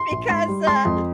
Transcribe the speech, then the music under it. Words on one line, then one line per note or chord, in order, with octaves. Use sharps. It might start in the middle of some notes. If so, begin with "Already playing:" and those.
Because, uh,
Already playing: C6
A#1
G#2 C6
G3
G#3 C6
F2